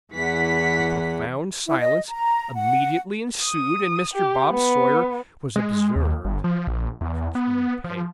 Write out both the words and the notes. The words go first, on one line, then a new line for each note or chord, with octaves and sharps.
A profound silence immediately ensued; and Mr. Bob Sawyer was observed to turn pale.
E2 E3 F#5 B6
E4
D#5
A#5
F#5
D#6
G4
B3
G#3
D#2
G1
F3
A#1
E2
B3
F3